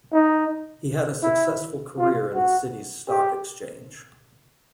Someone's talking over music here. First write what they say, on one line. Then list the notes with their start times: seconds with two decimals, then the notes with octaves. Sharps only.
He had a successful career in the city's Stock Exchange.
0.12 D#4
1.23 E4
1.98 F4
2.35 F#4
3.09 G4